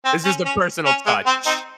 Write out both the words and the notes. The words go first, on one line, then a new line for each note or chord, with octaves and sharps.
It's just a personal touch.
C4
C#4
C#4
C#4
G#3
C4
C4 D#4